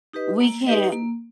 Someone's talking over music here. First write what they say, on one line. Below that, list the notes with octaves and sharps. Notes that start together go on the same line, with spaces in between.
We can't.
D#4 G4 B4 D#5
A#3
D#4 G4 B4 D#5
A#3